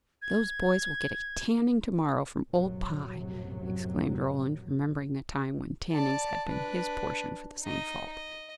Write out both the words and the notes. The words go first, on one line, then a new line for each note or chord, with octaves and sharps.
"Those boys will get a tanning, to-morrow, from old Pye!" exclaimed Roland, remembering the time when "tannings" had been his portion for the same fault.
G#6
A#1 F#2 A2 C3 F#3
D5 A5
D4 B4
D#4 D#5
D#5